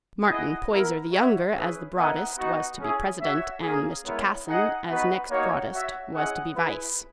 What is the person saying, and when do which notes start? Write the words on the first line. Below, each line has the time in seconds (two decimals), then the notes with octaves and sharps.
Martin Poyser the younger, as the broadest, was to be president, and Mr. Casson, as next broadest, was to be vice.
0.27 E4 G#4 D#5 F#5
0.70 B3 E4 A#4
1.11 F#4 C#5 E5
1.53 C#4 E4 G#4 B4
1.96 B3 E4 A#4 D#5 F#5
2.38 B3 D#4 F#4
2.80 C#4 E4 G#4
3.21 F#4 C#5 E5
3.63 A#3 C#4 G#4
4.04 G#3 B3 E4 A#4 C#5
4.46 D#4 G#4 D#5 F#5
4.88 B3 D#4 F#4 B4
5.30 A#3 D#4 F#4 C#5
5.72 F#4 C#5 E5
6.14 C#4 E4 G#4 D#5 F#5
6.55 E4 G#4 B4